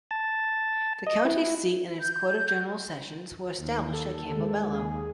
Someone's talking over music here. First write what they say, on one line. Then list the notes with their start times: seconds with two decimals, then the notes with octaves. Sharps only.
The county's seat and its court of general sessions were established at Campobello.
0.11 A5
1.07 D#5
1.25 E4
2.01 G6
3.55 D#2
3.94 A4
4.35 G#3
4.73 G#4